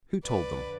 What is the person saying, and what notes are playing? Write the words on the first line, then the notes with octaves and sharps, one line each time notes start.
"Who told them?"
F2 D3 F3 B4 D5